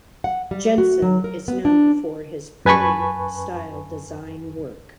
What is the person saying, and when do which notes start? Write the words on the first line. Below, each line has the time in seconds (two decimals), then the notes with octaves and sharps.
Jensen is known for his prairie style design work.
0.24 F#5
0.51 G3
0.78 F#4
1.02 F#3
1.24 A#4
1.48 B3
1.65 D4
2.65 F#2 B4 G#5 A5 B5 C#6